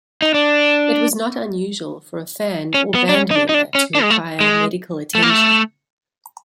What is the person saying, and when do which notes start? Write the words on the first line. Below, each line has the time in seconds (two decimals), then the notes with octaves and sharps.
It was not unusual for a fan or band member to require medical attention.
0.22 D#4
0.34 D4
2.74 C#4
2.95 B3
3.09 D4
3.15 C#4
3.31 D#4
3.35 D4
3.49 D#4
3.54 D4
3.75 C#4
3.95 D4
4.03 G#3
4.10 A3
4.41 G#3
5.15 A3
5.22 A#3
5.30 A3